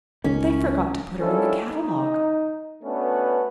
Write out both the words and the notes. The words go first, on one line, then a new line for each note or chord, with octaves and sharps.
"They forgot to put her in the catalogue."
C#2 D#3 C#4
D#3 F3 C#4 D4 E4 A4
D#4
A3 B3 C#4 D4 F#4 B4